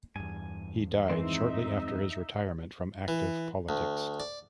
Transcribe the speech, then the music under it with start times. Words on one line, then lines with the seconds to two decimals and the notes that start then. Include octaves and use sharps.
He died shortly after his retirement from active politics.
0.16 E2 G2 G#5
1.10 D#3 E3 G#3 C4 D#4 E5
3.08 E3
3.69 D2
4.20 D5